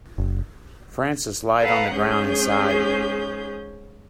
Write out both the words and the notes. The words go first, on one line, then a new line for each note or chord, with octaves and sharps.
Francis lied on the ground and sighed.
F#1
A4 B4 F5 F#5 A#5
G#2 C#4 G#4 G6